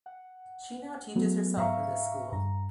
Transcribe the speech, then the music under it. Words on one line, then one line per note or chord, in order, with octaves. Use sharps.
She now teaches herself in this school.
F#5
F#3 A3 B3
G#2 E5 F5 A#5 C#6
G2 A#5